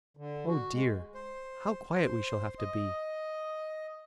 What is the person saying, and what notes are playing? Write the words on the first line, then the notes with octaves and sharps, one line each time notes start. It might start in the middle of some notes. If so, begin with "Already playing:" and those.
Oh dear, how quiet we shall have to be!
D3
F#4
G#3
C5
C5
D#5